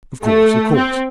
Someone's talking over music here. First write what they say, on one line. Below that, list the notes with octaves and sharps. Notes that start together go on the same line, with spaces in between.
'Of course, of course.
A3
C4